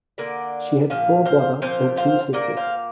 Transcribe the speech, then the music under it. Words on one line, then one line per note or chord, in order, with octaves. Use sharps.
She had four brothers and two sisters.
D3 A#3 A#4 D5
A#2 F3 F5
C5 F5
A#2 F3 C4 C5 F5
C5 F5
A#2 A#3 A#4 D5
C5 F5